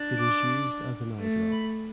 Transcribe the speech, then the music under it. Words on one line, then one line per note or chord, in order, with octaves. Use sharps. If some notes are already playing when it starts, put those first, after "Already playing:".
It is used as an eye drop.
Already playing: D4
D6
A3
B5